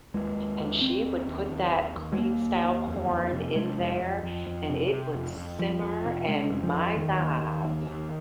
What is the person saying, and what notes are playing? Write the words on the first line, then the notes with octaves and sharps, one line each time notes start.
and she would put that cream-style corn in there, and it would simmer, and my god.
D#2 G#3
D#2
D#2
D#2 C4
D#2
D#2
D#2
D#2
D#2
G#3
D#2 A#3
D#2
D#2
F2
F2
C3
C3 G#3
F2
F2
F2
F2
C3
C3
F2
F2
F2 F3
F2
C3
C3 G#3
F2 G#3
F3
F2
D#2 D#3
D#2
D#2
D#2
D#2